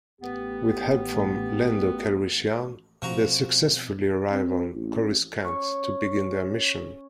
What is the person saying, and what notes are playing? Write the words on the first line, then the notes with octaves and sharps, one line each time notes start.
With help from Lando Calrissian, they successfully arrive on Coruscant to begin their mission.
A1 B3 G4
B2 F3 C4 F#4 A#5
C4
A1
C#4 C#5 C#6